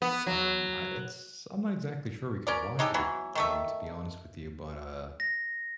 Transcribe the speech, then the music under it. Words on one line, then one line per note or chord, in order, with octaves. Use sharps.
Um, I it's I'm not exactly sure we could watch it a um, to be honest with you, but, uh,
B3
F#3
C#4 A#4 D5
G#3 D#4 G4 A4
E3 F#3 B3
D#3 A3 E5
A#6